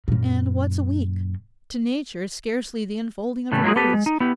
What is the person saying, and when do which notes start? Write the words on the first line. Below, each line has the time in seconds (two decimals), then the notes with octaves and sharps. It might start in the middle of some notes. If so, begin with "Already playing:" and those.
And what's a week?--to Nature scarcely the unfolding of a rose.
0.08 F#2 A#2
3.52 A2 C#3 E3 G3 A3
3.64 F#3 G#3 A#3 E4 F4 G#4
3.76 B3 G4 A4 B4
3.94 G#3
4.06 D#4
4.20 B3 E4 G4